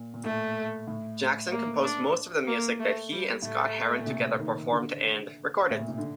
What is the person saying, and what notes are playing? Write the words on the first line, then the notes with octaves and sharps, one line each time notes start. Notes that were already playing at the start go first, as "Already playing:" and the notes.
Jackson composed most of the music that he and Scott-Heron together performed and recorded.
Already playing: A#2
A#2
A2 A3
A2
A#3
D4
A#3
A3
G3
A2 A3
A#2
C3
D#3
D3
A2
A#2
C3
D3